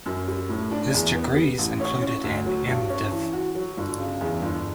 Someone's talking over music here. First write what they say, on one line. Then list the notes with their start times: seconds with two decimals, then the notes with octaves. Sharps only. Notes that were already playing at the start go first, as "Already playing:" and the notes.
His degrees included an M. Div.
0.06 F#2
0.28 G3
0.49 A2
0.71 D4
0.94 E2
1.15 B3
1.36 G3
1.59 A1
1.80 C#4
2.02 C#4
2.24 D2
2.46 F#3
2.67 G2
2.89 C#4
3.11 E3
3.33 F#4
3.55 F#3
3.77 G1
3.98 C#3
4.21 E2
4.42 G1